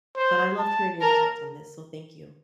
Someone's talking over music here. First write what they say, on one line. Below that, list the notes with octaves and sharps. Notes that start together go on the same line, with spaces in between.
But I loved hearing your thoughts on this, so thank you.
C5
A5
A#4 A5